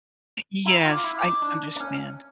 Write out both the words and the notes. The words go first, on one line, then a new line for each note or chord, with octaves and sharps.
Yes, I understand.
E4 A#5
F4
D6
E4
D6
D#4
D4
D4
C#4